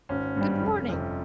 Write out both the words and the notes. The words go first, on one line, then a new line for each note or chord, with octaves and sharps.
'Good morning!
G#1 C#4
G2 G3
F1
F2 C3